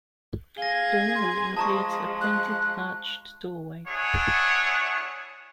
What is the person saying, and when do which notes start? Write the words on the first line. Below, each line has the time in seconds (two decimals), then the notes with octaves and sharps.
The wall includes a pointed arched doorway.
0.58 G#4 F5 G#6 A#6 G7
1.15 C6
1.56 F3 G#3 A5 A#5 C#6 D#6
2.21 F#6
3.87 A3 D4 E4 G#4 C#5 F#5